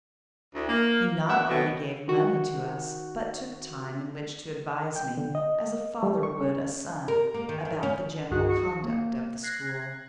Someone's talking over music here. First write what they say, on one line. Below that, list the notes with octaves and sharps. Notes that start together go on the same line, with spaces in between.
He not only gave money to us, but took time in which to advise me, as a father would a son, about the general conduct of the school.
D2 E4
A#3
F#2 B2 D4 E5 F#5
B2 F#3 A3 B3 C4 F#4
D#3 F#4
G5
D3
D#5
G3
C#6
C#4
A#4
A#3
D#3
D#3
C#4
C2 G2 F#4 G#4 F#5 F#6
F#4 C#7
A#3
F#6 G#6 A#6 C7